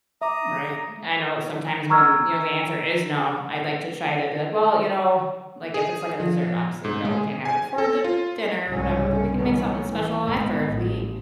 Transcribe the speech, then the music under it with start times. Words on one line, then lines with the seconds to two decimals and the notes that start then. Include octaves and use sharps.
Right, I know sometimes when, you know, the answer is "no", I'd like to try to be like, "Well, you know" like, if it's like a dessert, obviously, "We no we can't have it before the dinner or whatever, but we can make something special after if we"
0.22 E5 A#5 D6 D#6
1.90 A#5 C#6 E6 F6 G#6
5.74 G#4
6.20 F3
6.85 G#2
7.05 G#3
7.17 G#4
7.45 G#5
7.78 A4
8.04 F4
8.67 C2 G#2 C#3 G3 C4 C#4
9.38 B2 D#3 E3 G3 G#3 C#4
9.86 A2 E3
10.25 G#1 G#2 B2 G#3 B3
10.66 A1